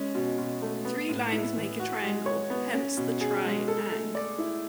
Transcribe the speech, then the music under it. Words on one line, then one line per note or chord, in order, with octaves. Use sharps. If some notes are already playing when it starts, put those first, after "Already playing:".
Three "Lines" make a triangle, hence the Tri-ang.
Already playing: G#3 C#4
B2
B2
A3
B3
A2
E4
E3
F#4
G#3
C#5
B3
C#4
B2
G#4
G#3
A4
A3
D5
E4